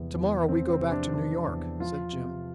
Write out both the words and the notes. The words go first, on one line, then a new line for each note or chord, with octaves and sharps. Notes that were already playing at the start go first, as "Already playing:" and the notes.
"To-morrow we go back to New York," said Jim.
Already playing: E2 C3 F3
E2
F3 C4
C4
C3
D4
E2 D4
E2
F3 F4
C3